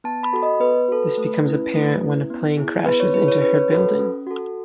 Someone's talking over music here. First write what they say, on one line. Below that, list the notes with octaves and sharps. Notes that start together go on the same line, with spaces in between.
This becomes apparent when a plane crashes into her building.
B3 A5
B5
F#4 A4
D#5
B3 B4
F#4 A4
A3
C#4 E4
A3
C#4 E4
B3
E4 G#4
B3 B4
C#5
E4 G#4 B4
C#5
C#4 B4
C#5
F#4 A4 B4
C#4
F#4 A4